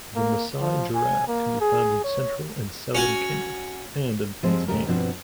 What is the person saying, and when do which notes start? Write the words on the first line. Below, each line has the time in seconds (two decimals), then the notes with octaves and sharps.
The Masai giraffe can be found in central and southern Kenya and in Tanzania.
0.16 A#3
0.61 F3
0.95 G#5
1.28 A#3
1.61 G#4
2.04 C#5
2.95 C#4 F#4 G#5
4.43 F3 G3 G#3 C4
4.68 D#2 C#3 G3 A#4
4.86 G2 B2 F3 C4 D4